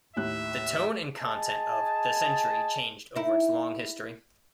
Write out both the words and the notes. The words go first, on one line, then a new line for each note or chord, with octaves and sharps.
The tone and content of "The Century" changed over its long history.
D#2 A2 E5 F#6
G#4 D#5 G#5 A5
D#4 E4